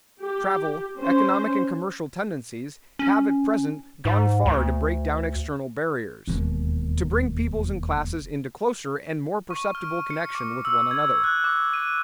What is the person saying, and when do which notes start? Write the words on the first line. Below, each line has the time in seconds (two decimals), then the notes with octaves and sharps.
Travel, economic and commercial tendencies, have at present gone far to break down external barriers; to bring peoples and classes into closer and more perceptible connection with one another.
0.21 G4
1.00 C#4 C5
2.99 C#4
4.05 G#2
4.46 D2
6.27 E1 D#2
9.51 C#6
9.75 F6
10.11 C#7
10.35 D6
10.65 E6
10.91 G#6
11.24 F#6
11.44 D6
11.73 D#7